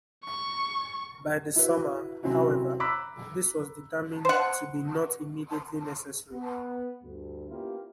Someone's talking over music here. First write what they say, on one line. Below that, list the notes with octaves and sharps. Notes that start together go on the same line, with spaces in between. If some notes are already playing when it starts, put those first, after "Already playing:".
By the summer, however, this was determined to be not immediately necessary.
C#6
E4 F#4 B4
C3 F#3 C4 C#4 E4 F#4
A#5 B5 D6 E6 F#6 B6
C5 F#5
B3
D2 G2
A#3 B3 C#4 E4 F4 G4